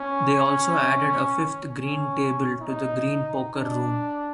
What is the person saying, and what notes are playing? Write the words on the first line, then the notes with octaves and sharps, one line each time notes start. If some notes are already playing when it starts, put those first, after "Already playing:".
They also added a fifth green table to the Green Poker Room.
Already playing: C#4
C#4
D#4
D4